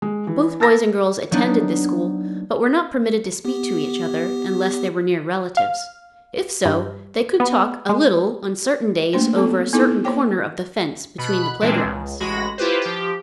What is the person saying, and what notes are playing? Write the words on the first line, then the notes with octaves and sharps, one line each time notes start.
Both boys and girls attended this school, but were not permitted to speak to each other unless they were near relatives; if so, they could talk a little on certain days over a certain corner of the fence, between the playgrounds!
G#3
E3
A5 E6 A6 A#6
F#3 A#3 B3 D4 D#4
B3 G4
F5
G2
B3
G#3
A3 A#3 D4 C5
B3 C4 A4
B3 C4 D#4 E4 A4
A#3 C5 C#5 G5 D6
B2 B5 F#6
A#2 E3 G#3 C4 D4
C#2
A1 G#3 F#4 B5 A#6
E4 F4 G4 B4 C5
F3 G4